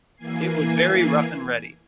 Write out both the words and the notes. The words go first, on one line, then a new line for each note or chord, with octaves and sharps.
It was very rough and ready.
E3 A#3 G#5 G#6 C7